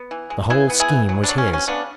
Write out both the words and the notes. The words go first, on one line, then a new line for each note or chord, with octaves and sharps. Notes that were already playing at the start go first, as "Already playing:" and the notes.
The whole scheme was his.
Already playing: B3
E3
G#3
E3 E4 G#4
B3
E4 G#4
E3
F#3
B3 D4
F#3
C#4
B2
C#4
C#3 B3 D4